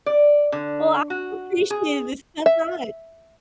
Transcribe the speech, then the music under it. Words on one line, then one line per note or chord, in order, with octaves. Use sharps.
Well, I appreciated this, so fun
D5
D3
F#4
G#4
E5